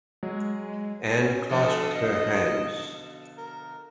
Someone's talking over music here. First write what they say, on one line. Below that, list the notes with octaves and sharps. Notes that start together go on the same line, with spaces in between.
Anne clasped her hands.
F#3 G#3
C#4
B2 D3 F3
A4
D#5
A#4